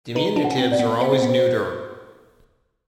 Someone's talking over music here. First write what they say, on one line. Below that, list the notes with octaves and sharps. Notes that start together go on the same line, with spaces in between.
Diminutives are always neuter.
D#4 B4
D4
F#5
C#4
C4
D5
B3
B3 C5
C4
B3
C5